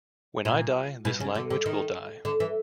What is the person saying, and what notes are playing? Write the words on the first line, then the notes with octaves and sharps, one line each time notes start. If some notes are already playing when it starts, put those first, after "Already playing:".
When I die, this language will die.
A#2
B2
C#3
D3
D3
D#3
D3
E3